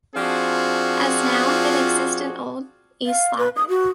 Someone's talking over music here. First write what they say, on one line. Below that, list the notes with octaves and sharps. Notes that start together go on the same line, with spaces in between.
As noun it exists in Old East Slavic.
F3 C4 D4 F4 F#4 G#4
F5
B4
D#6
F#4